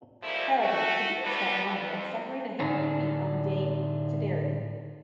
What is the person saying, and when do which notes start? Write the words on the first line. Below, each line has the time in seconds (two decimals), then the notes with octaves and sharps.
However it didn't stop Monaghan suffering a heavy defeat on the day to Derry.
0.22 G#2 F3 G3 A3 A#3 E4
0.59 A3 F#4
1.23 G2 D3 G3 B3
1.65 F2
2.60 A2 D3 D4 D#4 G#5